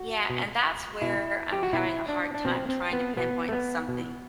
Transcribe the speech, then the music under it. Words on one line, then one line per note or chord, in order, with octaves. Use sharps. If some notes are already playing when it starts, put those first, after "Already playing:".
Yeah, and that's where I'm having a hard time trying to pinpoint something.
Already playing: F#4
B2
B2 E4
G4
F#4
B2 E4
D4
D4
B2 C4
C4
B3
B2 B3
A3
B3
B2